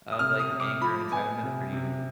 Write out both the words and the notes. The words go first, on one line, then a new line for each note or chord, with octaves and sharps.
of, like, anger and entitlement, like, are you,
D#6
C3 F6
D#6
C3
D6
F3 B5
B3 G#5
C3
C3